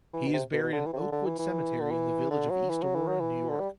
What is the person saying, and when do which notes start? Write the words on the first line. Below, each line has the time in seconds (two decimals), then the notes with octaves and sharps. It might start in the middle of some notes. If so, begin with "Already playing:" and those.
He is buried in Oakwood Cemetery in the Village of East Aurora, New York.
0.14 E3
0.27 B2
0.33 C3
0.53 B2
0.63 B2
0.73 D3
0.86 E3
0.93 C3
1.00 D3
1.12 D3
1.26 E3
1.39 E3
1.81 D3
1.91 E3
2.31 D3
2.50 F#3
2.70 E3
2.83 F#3
2.95 E3
3.08 F#3
3.20 E3
3.49 D3
3.60 G3